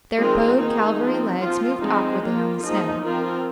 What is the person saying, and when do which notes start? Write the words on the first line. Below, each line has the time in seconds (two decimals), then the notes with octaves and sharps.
Their bowed cavalry legs moved awkwardly on the snow.
0.18 D#3 G#3 C4 F4 A#4
0.58 D#3 A#3 D#4 G#4
0.99 F3 C4
1.40 F3 C4 F4
1.80 F3 G#3 C4 D#4
2.21 D#3 A#3 F4
2.62 F3 A#3 D#4 G#4
3.03 F3 C4 F4 A#4